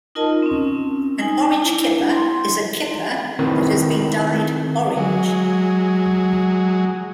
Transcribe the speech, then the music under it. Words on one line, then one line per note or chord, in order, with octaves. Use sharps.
An "orange kipper" is a kipper that has been dyed orange.
D#4 F4 A#4 D#5 A5
C4 C#4
D#4 G#5
D4 E4
C6
D#3 C4 E4 A#4 B4
F#3 G#3